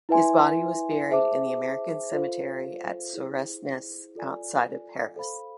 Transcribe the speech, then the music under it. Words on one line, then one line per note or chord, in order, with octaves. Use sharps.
His body was buried in the American cemetery at Suresnes, outside of Paris.
E4 B4 E5 G#5 C6
G#4 C5 E5 A5 D6
F4 A4 C5 F5
E4 G#4 C5
F4 A4 D5 G#5
A4 C5 F5 B5